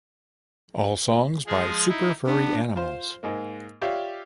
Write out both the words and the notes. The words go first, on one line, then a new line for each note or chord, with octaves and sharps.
All songs by Super Furry Animals.
F3 G#3 G#4
D#4 E4
B3 D4
F4 C5
G#2 G#3 A#3
F4 G4 C#5 D5 E5 F5